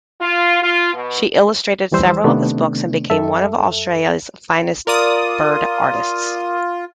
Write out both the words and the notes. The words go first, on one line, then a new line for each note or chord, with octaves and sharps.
She illustrated several of his books and became one of Australia's finest bird artists.
F4
F4
B2
D#2 E3 G3 C5 E6
C3 D#3 A3 B3 C4 D4
F#2 A4 E5
F4 A#4 D5 D#6